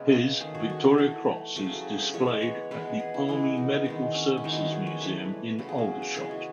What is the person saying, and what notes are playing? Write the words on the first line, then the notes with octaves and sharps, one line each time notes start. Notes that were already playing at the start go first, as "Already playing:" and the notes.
His Victoria Cross is displayed at the Army Medical Services Museum in Aldershot.
Already playing: C#3 G#3 B3 B4
D#3 A3 G#4
F#4
F#4
F#4
E3 A3
C#3 F#3 A3 A4
E3 G#3 B3 C#5
B4
C#5
E3 G#3 B3 B4
G#4
E4
E3 G#3 B3
D#4
D#3 G#3 B3
C#4
E4
D#3 G#3 B3 D#4
F#4
E4
G#4
C#5
E3 A3 B4
C#3 F#3 B3
G#4
F#4
G#4
E3 G#3 B3 G#4
F#4